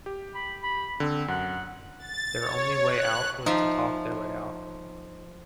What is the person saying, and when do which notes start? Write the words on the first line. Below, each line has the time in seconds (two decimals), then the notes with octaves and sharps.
Their only way out was to talk their way out.
0.06 G4
0.35 B5
0.63 B5
1.00 D3 C4
1.28 F#2 F#5
1.99 A6
2.39 C#5
2.88 F#6
3.46 F3 D#4 E5